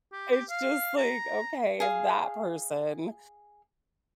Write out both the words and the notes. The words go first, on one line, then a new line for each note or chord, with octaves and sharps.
It's just, like, okay, if that person
G4
G4
F5
A#5
G#4 F5